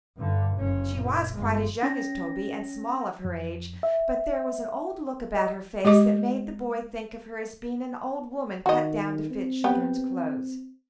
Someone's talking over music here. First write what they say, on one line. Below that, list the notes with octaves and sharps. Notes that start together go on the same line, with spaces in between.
She was quite as young as Toby, and small of her age; but there was an old look about her face that made the boy think of her as being an old woman cut down to fit children's clothes.
G2 D3
F#1 C#4
A#2
G1 G#3
C#4 A#6
F2
E5
D#5
G#3 G4 D#5 D6
D#3 F#4 D#5
C4
B3 G4 B4